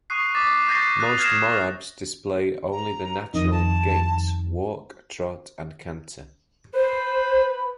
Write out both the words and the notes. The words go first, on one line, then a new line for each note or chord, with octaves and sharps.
Most Morabs display only the 'natural' gaits - walk, trot, and canter.
C#6 D#6 F#6 C7
D6 A6 B6
C#6 F#6 G6 A6 A#6 C7
D6 D#6 F#6
F6 G#6 A#6 C7 E7
A#5
F2 D#3 D#5
A5
B4 C5